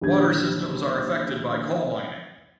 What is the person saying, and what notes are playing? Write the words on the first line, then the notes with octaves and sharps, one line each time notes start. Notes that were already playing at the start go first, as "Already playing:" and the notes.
Water systems are affected by coal mining.
A#1 D#2 D3 F#3 G4 G#6